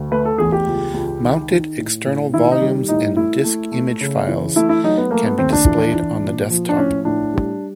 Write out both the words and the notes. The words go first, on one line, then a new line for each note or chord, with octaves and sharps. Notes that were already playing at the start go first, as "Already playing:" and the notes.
Mounted external volumes and disk image files can be displayed on the desktop.
Already playing: D2
A3 B4
A4
E2 G#4
G4
C#2
C#2
D#3
D#3
A2
A2
D#3 E4
D#4
G3
A2 D#4
A3 E4
A3
A3
C#3
E3
A3 E4
E4
F#3 D#4
B3
A3 A#3
B3
D#2 C4
D4
E3
E3
A#2
F3
D4
A2 C#4
A2 D4
G3